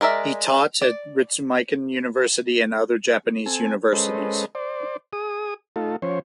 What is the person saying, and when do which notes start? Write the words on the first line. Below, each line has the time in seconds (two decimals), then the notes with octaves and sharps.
He taught at Ritsumeikan University and other Japanese universities.
0.01 G#3 A#4 D5 E5
0.82 D5
3.46 C4 A4 G#5
3.93 G#3 C#4 A4 B4 C5 D#5
4.55 C5 D5
5.13 G#4 D#6
5.76 A3 D#4 F4 A4
6.02 F3 C#4 C5 C#5